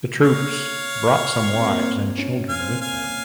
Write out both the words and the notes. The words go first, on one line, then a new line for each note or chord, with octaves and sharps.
The troops brought some wives and children with them.
A#3 C#5 F5
C4
A#3
C4
C#4
F5 G#5
C4
F5 G#5